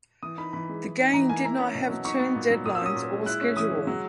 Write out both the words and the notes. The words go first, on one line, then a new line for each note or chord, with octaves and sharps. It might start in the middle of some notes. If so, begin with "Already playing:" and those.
The game did not have turn deadlines or schedule.
E3 D#6
D#4 B5
E3 B5
G#3
E3
D#4
E3 A#5
A#3 G#5
E4 A#5
C#4
B2
F#3
D#4 C#6
B3
A#2
F#3
A#2 D#6
E6
C#4 D#6
A#2
G#3
E4 F#6
C#4
E3 D#6
G#3
F#3